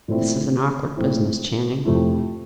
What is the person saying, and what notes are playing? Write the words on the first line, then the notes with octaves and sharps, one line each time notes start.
"This is an awkward business, Channing."
A#2 A3 C4 E4
A#2 A3 C4 E4
F2 C3 F3 A3 E4